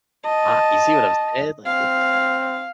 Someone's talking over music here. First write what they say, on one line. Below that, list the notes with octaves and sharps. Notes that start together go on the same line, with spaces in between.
Ah, you see what I'm saying? Like it's
D#5 A5
C4 F5